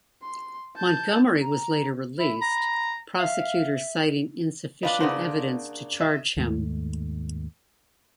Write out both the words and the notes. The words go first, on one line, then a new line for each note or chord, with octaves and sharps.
Montgomery was later released, prosecutors citing insufficient evidence to charge him.
C6
A5 G6
A#5
E4 B5
A#5
E5 F5
D4 F4 B4 D#5
C#3 A#3 D4 B4 C5 F#5
D#5 E5
D#2 G#2 A3